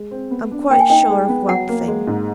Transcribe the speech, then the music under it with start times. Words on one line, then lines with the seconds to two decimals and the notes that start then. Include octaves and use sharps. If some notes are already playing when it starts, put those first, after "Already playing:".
I'm quite sure of one thing.
Already playing: G#3
0.11 C4
0.31 B3
0.51 D4
0.70 A#3 G5
0.80 G#5
0.90 D#4 G5
1.10 G#3
1.29 B3
1.49 F#3 F#5
1.69 A#3
1.88 G#3
2.07 G#2